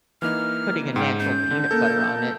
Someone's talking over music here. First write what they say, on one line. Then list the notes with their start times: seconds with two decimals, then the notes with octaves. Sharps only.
putting a natural peanut butter on it,
0.22 E3 A#3 D#4 F6
0.96 G#2 G5
1.19 C#4 G6
1.51 D3
1.71 A#3 A4 A#4